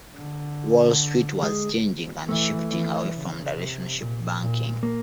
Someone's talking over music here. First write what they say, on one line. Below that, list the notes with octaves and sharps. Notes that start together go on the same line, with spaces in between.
Wall Street was changing and shifting away from relationship banking.
D3
G#3
E3 A3
E3
C#3
C3
A#2
A#2
A#3